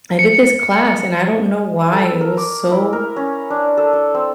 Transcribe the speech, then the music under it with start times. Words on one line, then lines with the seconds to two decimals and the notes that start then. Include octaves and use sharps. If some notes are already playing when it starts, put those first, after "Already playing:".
I did this class, and I don't know why, it was so
0.19 C#7
1.92 A4
2.21 A#4
2.37 D6
2.71 E4
2.93 A#4
3.16 C#4
3.50 D4
3.77 A4
3.93 A4
4.15 C4